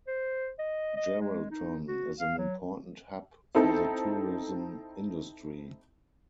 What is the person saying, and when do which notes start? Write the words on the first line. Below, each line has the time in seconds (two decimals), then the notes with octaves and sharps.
Geraldton is an important hub for the tourism industry.
0.07 C5
0.59 D#5
0.96 D#5
1.21 G#3
1.51 D#4
1.88 F#4
2.20 F5
2.38 F#3
3.55 C4 D#4 E4 A4